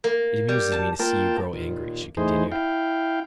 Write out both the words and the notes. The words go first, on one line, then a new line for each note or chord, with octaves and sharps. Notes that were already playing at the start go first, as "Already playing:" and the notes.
"It amuses me to see you grow angry," she continued.
A#3
G3
A5
A#3 F4 A#4 G5 A5
D#2 A#2
A2 E3 D#4 G#4 C5
E4 F5 G5